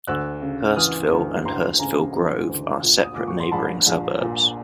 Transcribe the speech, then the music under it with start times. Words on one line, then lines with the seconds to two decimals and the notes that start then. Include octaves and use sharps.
Hurstville and Hurstville Grove are separate neighbouring suburbs.
0.07 D2 E6 F#6
0.42 C#3
0.76 E3 D#6 F6
1.11 D2
1.45 D2 A#5 C6
1.79 C#3 G#5 A#5
2.15 E3
2.49 D2
2.83 A#2
3.03 D#6
3.14 A#2 D6
3.27 C#6
3.40 C6
3.51 A#1 A5 B5
3.86 A#1
4.21 A#2